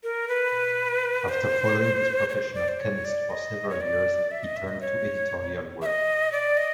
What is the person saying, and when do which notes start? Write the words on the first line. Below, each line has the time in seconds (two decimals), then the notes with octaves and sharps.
After following his profession of chemist for several years, he turned to editorial work.
0.03 A#4
0.28 B4
1.29 C5
2.29 C#5
2.33 C5
2.54 D5
2.68 C5
2.80 C#5
3.05 D5
3.30 D#5
3.70 C#5
3.81 D5
4.31 E5
4.44 D#5
4.56 E5
4.68 D#5
4.81 C#5
5.82 E5
5.86 D#5
6.32 D5
6.57 D#5